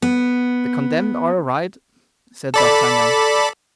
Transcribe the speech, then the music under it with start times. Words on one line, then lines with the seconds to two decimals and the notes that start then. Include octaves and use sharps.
"The condemned are arrived," said D'Artagnan.
0.02 B3
2.54 A4 D5 B5